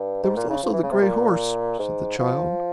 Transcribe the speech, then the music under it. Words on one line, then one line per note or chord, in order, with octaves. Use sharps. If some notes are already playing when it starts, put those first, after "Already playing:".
"There was also the grey horse," said the child.
Already playing: G2
G#2
A#2
C#3
F3
E3
C#3
C3
A#2
G#2
F3